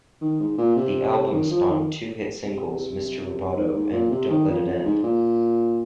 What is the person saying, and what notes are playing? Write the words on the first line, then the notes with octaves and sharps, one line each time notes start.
The album spawned two hit singles, "Mr. Roboto" and "Don't Let It End".
D#3
G#2
A#2
C3
D#3
F3
D#3
C3
G#2
G#2
A#2
C3
D#3
F2
F2
G#2
A#2